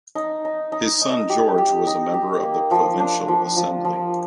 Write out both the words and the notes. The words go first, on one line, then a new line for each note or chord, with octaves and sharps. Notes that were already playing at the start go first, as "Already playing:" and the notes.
His son George was a member of the provincial assembly.
D#4
D#4
D#4
D#4
G4
G4
D#4
G4
A#3
F3
D4
F3
F3
F3